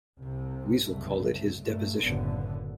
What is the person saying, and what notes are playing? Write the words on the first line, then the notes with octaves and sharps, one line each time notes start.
Wiesel called it his deposition.
C2 C3
F#1 C2 G#2 A3
G2 A#2 A3
F#1 A2 D3 B3